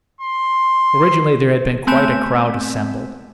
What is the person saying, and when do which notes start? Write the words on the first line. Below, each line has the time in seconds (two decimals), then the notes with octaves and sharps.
Originally there had been quite a crowd assembled.
0.21 C6
1.87 A3 B3 C4 G#5 B6 E7